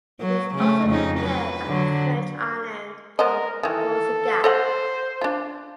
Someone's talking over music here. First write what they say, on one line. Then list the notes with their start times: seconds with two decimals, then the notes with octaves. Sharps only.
It is also prepared on the French island of Corsica.
0.21 F#3
0.55 C#3 A3
0.88 F2 C#3 D#4
1.20 F#3 B4
1.66 D3 F#3
3.19 B3 A#4 C5 D#5
3.63 D#3 E3 A4
4.44 A4 C5 D#5 F#5
5.21 D4 F4